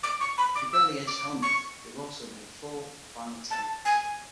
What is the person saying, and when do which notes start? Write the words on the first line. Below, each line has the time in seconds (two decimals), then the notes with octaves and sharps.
He barely edged Hellmuth, who also made four final tables.
0.03 D6
0.20 C#6
0.38 B5
0.55 D6
0.73 E6
1.07 D6
1.42 C#6
3.51 A5
3.85 G#5